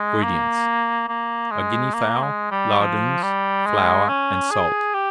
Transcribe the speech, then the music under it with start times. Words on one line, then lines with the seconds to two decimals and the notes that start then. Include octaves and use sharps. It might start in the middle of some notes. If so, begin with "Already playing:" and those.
INGREDIENTS.--A Guinea-fowl, lardoons, flour, and salt.
Already playing: G#3
0.23 A#3
1.09 A#3
1.51 G#3
1.94 A#3
2.23 G#3
2.51 G3
2.80 F3
3.23 G3
3.66 G#3
4.09 C#4
4.51 G#4
4.94 G4